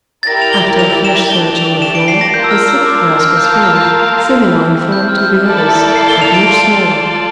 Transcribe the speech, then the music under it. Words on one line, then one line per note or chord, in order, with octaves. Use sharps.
After a fresh search on the floor, a sixth glass was found, similar in form to the others, but much smaller.
A6
E4 G4 A#4 D5 A#6
F7
G7
F7
E7
A3 D4 G4 D5 G7
F7
E7
D7
C7
A#6
A#3 D4 F4 A#4 G6
E6
F6
E6
D6
E6
F6
A#3 F4 A#4 F5 A5 G6
G6
F6
G6
A3 C4 E4
G6
F6
G6
A#3 E4 A4 D5 A5
C7
G7
F7
D7
F4 A4 D5 A5